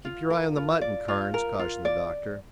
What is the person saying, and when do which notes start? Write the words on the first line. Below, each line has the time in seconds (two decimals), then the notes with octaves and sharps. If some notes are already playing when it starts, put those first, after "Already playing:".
"Keep your eye on the mutton, Carnes," cautioned the doctor.
0.05 F4
0.30 A#4
0.56 F4
0.81 D5
1.08 F4
1.34 A#4
1.59 F4
1.85 D5